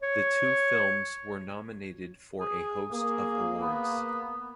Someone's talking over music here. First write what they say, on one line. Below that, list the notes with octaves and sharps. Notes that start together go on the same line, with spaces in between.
The two films were nominated for a host of awards.
C#5
G#4
A#3 G#4
B3